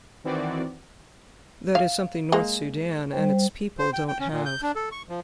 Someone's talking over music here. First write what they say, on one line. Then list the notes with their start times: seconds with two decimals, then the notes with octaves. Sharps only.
That is something North Sudan and its people don't have.
0.24 D#3 E3 C4 F#4 D5
1.75 F5
2.32 G#3 A#3
3.13 G3 C5 G5
3.79 C5
3.93 G5
4.08 G5
4.20 C#4
4.32 A#2
4.46 G6
4.63 D4
4.75 A4
4.92 C#6
5.09 F3